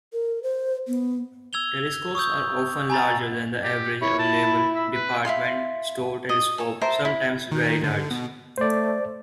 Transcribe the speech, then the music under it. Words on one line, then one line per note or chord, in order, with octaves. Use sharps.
Telescopes are often larger than the average available "department store telescope", sometimes very large.
A#4
C5
B3
E6 G#6 F7 G7
C#6 D#6 E6 G6
G#5 A#5 B5 A6
G4
E4 C#5
A5
E5
B4
E4 F4 F5 C6
D#5
A4 C#5
A#4 C5 E5 A5
E4
D#3
D3
B2
A3 C5 D5